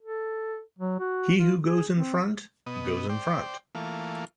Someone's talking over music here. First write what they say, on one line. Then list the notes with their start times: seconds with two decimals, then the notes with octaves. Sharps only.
He who goes in front, goes in front.
0.02 A4
0.79 F#3
1.00 F#4
1.38 F4
1.63 G#4
1.96 C4
2.67 B2 B3 D#5
3.09 C5 D5 G5
3.75 E3 A3 A#3 F4